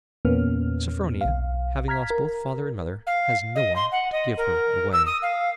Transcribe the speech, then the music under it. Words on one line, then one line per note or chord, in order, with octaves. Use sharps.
Sophronia, having lost both father and mother, has no one to give her away.'
E2 A#2 A#3 B3 C#4 F6
B1 F5
A#5 F6 G#6 B6
A#4
F5
D#5
C6
F#5
D#5
A#4
E6
D#6
F5